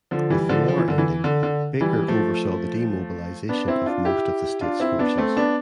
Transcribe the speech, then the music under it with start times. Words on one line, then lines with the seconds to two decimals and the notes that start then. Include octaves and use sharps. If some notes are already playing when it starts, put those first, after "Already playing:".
With the war ending, Baker oversaw the demobilization of most of the state's forces.
0.11 D3 F3
0.30 E3 G3
0.49 D3 F3
0.68 F3
0.78 E3
0.88 D3
0.98 E3
1.24 D3
1.43 D3
1.80 E3 G3
2.08 F3 A3
3.49 B3 D4
3.68 C4 E4
3.86 D4 F4
4.05 E4 G4
4.61 D4 F4
4.80 C4 E4
4.99 B3 D4
5.18 A3 C4
5.37 B3 D4